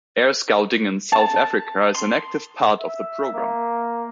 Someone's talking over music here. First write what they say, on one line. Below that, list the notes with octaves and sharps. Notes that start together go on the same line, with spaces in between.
Air Scouting in South Africa is an active part of the program.
A5
C6
E5
A#3